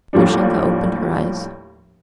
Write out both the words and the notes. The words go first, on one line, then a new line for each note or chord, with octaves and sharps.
Grushenka opened her eyes.
D#2 A2 F3 G3 D4